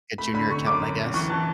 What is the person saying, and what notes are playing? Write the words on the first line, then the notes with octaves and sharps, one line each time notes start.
a junior accountant, I guess,
A3 B5
D3 B5
D3 C#6
F#2 D6
F#1
F#1
E3 C#6
E3 A5